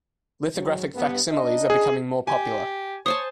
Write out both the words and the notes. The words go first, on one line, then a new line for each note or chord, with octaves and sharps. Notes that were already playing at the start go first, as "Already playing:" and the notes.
Lithographic facsimiles are becoming more popular.
G#2 F#3
G2 B3
D4 D#4 D#5
G#4
G4 G#5
C5 C#5 G#5 A5 D#6